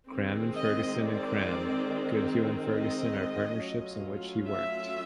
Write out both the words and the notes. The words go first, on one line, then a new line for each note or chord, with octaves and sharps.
Cram and Ferguson and Cram, Goodhue and Ferguson are partnerships in which he worked.
D#3 G#3 C4
D#5
D5
D#5
F#3 A3 C#4 F4
E5